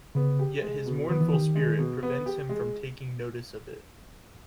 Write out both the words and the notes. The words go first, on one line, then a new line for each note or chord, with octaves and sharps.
Yet his mournful spirit prevents him from taking notice of it.
C#3 B3
G4
G#3
B2
D#3 B3
E3
D#3 G4
G#3
B2
B3
G4
G#3